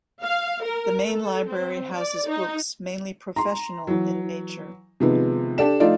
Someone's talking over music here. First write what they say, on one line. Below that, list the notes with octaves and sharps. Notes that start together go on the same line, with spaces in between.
The Main Library houses books, mainly professional in nature.
F5
A#4
A4
C4
D5
D#4
A#5 C6
E3 F#3
C3 D#3 F3 G#3 B3
D4 G4 A4 D5 E7
F3 A3 D#4 F4 D5